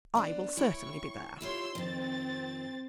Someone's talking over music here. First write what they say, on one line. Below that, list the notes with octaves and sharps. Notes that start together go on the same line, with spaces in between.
I will certainly be there.
B3 D4 C5
E4 C#5 G5 C#6
E4 F4 G4 C#5 C6 E6
F2 D#3 C4 A6